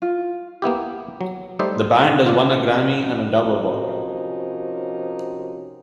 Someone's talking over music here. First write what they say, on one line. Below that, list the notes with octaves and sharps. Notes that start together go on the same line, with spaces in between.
The band has won a Grammy and a Dove Award.
F4
A#3 B3 E4 G4
F#3
G3 A3 D#4 C5 D5 E5
F4 D5
C3 F3 C#4 D#4 F#4 A#4